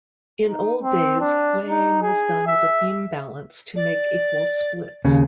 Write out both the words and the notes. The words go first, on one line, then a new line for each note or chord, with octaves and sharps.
In old days, weighing was done with a beam balance to make equal splits.
D#4
C4
D4
D#4
G#4
E5
D5
D#2 C#3